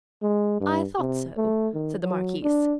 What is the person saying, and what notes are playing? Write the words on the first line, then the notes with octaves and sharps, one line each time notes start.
"I thought so," said the marquise.
G#3
G2
C3
A3
D#3
F#3
D4